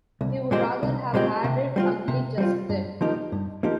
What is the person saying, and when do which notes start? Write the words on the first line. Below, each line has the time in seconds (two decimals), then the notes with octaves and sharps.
He would rather have had it ugly just then.
0.21 C2
0.51 A#2 G#3 C4 G4
0.83 C2
1.14 A#2 G#3 C4 G4
1.44 C3
1.76 G3 C4 F4
2.08 C3
2.38 G3 C4 F4
2.69 G2
3.01 F3 A#3 D#4 G4
3.32 G2
3.63 F3 A#3 D#4 G4